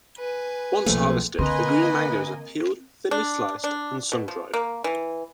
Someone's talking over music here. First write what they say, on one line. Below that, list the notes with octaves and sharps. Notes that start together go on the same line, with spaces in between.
Once harvested, the green mangoes are peeled, thinly sliced, and sun-dried.
B4 G#5
B1 F3 A3 A#3 C4
D3 A#3 C4 B4 D#5 G#5
D4
D4
B2
F3
A#3
E3